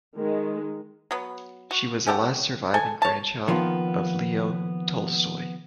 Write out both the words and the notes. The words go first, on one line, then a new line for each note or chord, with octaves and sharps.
She was the last surviving grandchild of Leo Tolstoy.
D#3 G#3
F#3 B3
F#4
C#4 G4 A4 F#5
A4 G#5
C#5 A5
D#3 F3 A#3 B3